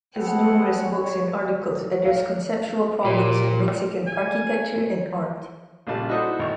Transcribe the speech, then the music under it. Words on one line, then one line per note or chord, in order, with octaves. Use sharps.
His numerous books and articles addressed conceptual problems in Mexican architecture and art.
B3 C4 G#4 A4 B4 F#5
C#5
F5
A#2 G4
G#5
A#1 A#2 C#3 G3 F4 A5
D#4 E4 F#4 A4 C5 D#5
G#1 C#6